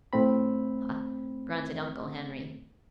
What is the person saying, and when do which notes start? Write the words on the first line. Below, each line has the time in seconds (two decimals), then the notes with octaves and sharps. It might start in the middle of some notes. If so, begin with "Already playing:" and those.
"Huh!" grunted Uncle Henry.
0.13 A2 A3 C4 B5